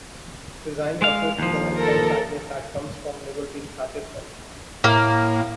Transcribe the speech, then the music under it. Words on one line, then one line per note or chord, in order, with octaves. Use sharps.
Resign yourself to the lifelong sadness that comes from never being satisfied.
G#3 F5
D#2 F3
A4 A#4
A2 A#3